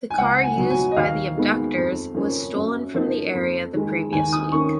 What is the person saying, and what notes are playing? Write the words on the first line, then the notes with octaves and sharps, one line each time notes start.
The car used by the abductors was stolen from the area the previous week.
G#5
C#2 F#5
G#5
B2 F#3
G#5
D#5
D#2 F5
D#3 G#3 B3 D#4
F2
F3 A#3 C#4
F#2
F3 A#3 D#4
F2
D#3 G#3
D#2 G#5
D#6
D#3 A#3 C#4 C#6